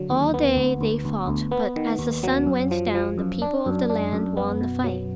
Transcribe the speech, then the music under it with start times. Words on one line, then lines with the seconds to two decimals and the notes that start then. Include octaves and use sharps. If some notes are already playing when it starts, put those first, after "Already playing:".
All day they fought, but as the sun went down the people of the land won the fight.
Already playing: D3 F#3
0.10 D#2
0.34 B3
0.56 D2
0.81 D2
1.05 D2
1.28 D2
1.51 B3
1.76 D#3
1.99 D#2
2.23 F#3
2.46 F#2
2.71 F3
2.95 F3
3.18 F#2
3.42 D4
3.66 F#2
3.90 D4
4.13 F#2
4.37 B3
4.61 B2
4.84 F#3